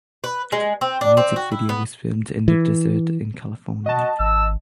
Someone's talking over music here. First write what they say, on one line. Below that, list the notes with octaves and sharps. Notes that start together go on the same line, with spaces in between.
The music video was filmed in the desert in California.
B4
G#3
C4
D4
C4
F#4
E4
B3
E3
F#4 D#5 A5
G#1 E6